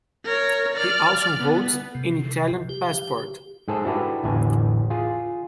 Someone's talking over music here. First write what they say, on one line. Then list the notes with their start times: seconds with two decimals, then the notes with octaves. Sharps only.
He also holds an Italian passport.
0.24 A#4 C#5
0.74 D5 F6
1.39 B3
1.95 C3
2.69 G4
3.68 G#2 G#4 A4 C5
3.85 D4 E4 F#4 G4 A4 B4
4.24 A1 E2 A2 D3 G#5
4.90 F4 G#4